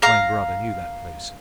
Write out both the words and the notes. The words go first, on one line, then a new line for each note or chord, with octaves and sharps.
My brother knew that place.
F5 A#5